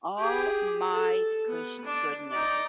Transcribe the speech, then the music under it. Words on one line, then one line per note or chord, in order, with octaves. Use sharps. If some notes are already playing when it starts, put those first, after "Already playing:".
Oh my goosh goodness,
G4 G#4
A4
B3
D4
D#4 D5